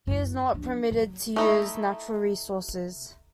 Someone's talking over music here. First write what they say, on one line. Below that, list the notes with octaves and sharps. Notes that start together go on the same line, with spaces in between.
Here is not permitted to use natural resources.
F#2 E4
F3 D4
F#3
A3 D#4 E4